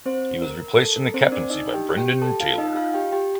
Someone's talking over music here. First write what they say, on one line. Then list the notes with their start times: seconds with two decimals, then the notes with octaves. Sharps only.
He was replaced in the captaincy by Brendan Taylor.
0.06 C4 C5
0.42 A#4
0.77 A4
0.96 A#4
1.14 C4 C5
1.32 D4 D5
1.50 D#4 D#5
1.74 G4 G5
1.97 G4 G5
2.22 A4 A5
2.40 F4 F5
2.58 D#4 D#5
2.76 F4 F5
2.94 G4 G5
3.12 G4 G5